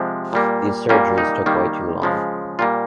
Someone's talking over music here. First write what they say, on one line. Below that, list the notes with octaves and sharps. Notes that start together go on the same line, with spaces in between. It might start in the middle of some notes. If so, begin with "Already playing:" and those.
These surgeries took way too long.
Already playing: C3 F3 G#3
A#2 G3 A#3
A#2 G3 A#3 C#4
D#4
D#3 G3 A#3
C#3 F3 G#3
A#2 G3 A#3 F4